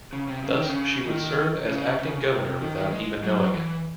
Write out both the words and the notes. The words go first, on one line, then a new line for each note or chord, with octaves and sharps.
Thus, she would serve as acting governor without even knowing it.
C#3
C3
C#3
D#3
C#3
D#3
C#3
C#3
C3
C3
D#3
D#3
G#3
F#3
E3